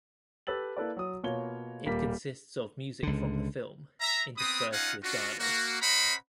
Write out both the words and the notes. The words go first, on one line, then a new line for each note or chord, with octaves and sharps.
It consists of music from the film, interspersed with dialog.
G4 A4 B4 E6 A6 F#7
A#3 E4 A4 B4 D5
F#3 D#6
B2 A#3 F4 C#5 G7
D#1 G3 A#3 A#4 B6
C#2 D3
E5 A#5
B3 C4 B5 D#6
C#4 D#4 F4 F5 F#5 G#5
C#4 D4 F4 F#4
A#3 F#4
C#4 C5 D#5 F#5 A#5 B5